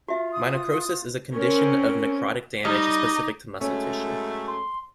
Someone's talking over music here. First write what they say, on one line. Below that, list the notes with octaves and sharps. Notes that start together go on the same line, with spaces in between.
Myonecrosis is a condition of necrotic damage, specific to muscle tissue.
F4 F#4 E5
D#6
C4 C#4 A#4
G3 D#4 D#5
F#2 G#3 A3 C#4
C6